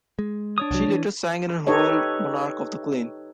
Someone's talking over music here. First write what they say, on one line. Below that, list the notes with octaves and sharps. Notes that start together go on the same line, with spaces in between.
She later sang in her role on Monarch of the Glen.
G#3
D4 C#5 D#6
C2 F#3
E3
D#4 G4 A4 B4 C#5 D#5